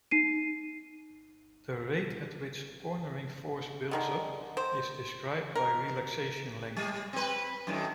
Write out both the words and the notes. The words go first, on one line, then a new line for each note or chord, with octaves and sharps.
The rate at which cornering force builds up is described by relaxation length.
D#4 C7 D#7
D3 D#3 G#3
C5
A#4
G3
C4 B4
F#2 A2 D#3